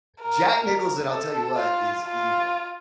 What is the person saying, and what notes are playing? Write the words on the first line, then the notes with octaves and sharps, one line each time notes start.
Jack Nicholson, I'll tell you what, is evil.
A#4
A4
F4
F4